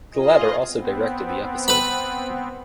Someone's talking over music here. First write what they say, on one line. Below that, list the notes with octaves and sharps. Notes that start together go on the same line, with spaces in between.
The latter also directed the episode.
F4 G#4 D#5
B3 C4
B4 B5